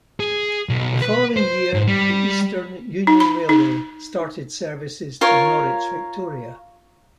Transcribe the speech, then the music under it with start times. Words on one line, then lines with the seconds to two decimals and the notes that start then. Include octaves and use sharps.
The following year the Eastern Union Railway started services to Norwich Victoria.
0.20 G#4
0.69 B1
1.02 B4
1.37 C5
1.74 G#2
1.88 G3
3.07 D#4
3.20 B5
3.49 D#4
5.21 F4 A#4 C#5